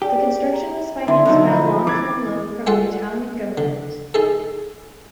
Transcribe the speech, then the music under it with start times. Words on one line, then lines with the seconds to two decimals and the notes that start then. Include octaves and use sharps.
The construction was financed by a long term loan from the Italian government.
0.02 G4 G#4 D5
0.54 A#5
1.08 D3 E4 E5 C6
1.25 B2 D3 F#3 D#4 E4
1.46 F3 D#5 A#5 B5
1.87 E3 D6 G#6 A6
2.67 G#3 F4 A4 F#5
3.58 D3
4.14 D#4 G#4 A4